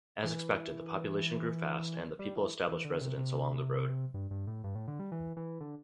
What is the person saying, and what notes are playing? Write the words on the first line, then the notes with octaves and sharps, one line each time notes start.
As expected, the population grew fast and the people established residence along the road.
E3
G3
E3
E3
D3
C3
C3
G2
G2
A2
G2
A2
D3
G3
E3
E3
D3